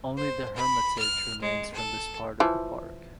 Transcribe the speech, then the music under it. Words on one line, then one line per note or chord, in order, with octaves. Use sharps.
Only the Hermitage remains from this part of the park.
C5
B5
F6
G#3
A4
E3 F3